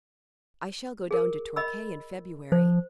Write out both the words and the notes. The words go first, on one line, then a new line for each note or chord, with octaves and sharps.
I shall go down to Torquay in February.
G#4 A#4
D#5 B5 E6
F3 C5